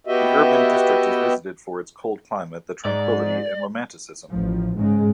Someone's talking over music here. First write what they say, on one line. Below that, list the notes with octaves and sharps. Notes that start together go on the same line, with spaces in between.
The urban district is visited for its cold climate, the tranquility and romanticism.
B3 F#4 G4 D#5 E5
G#2 D5
A1 F3
G#2 C#3 G#3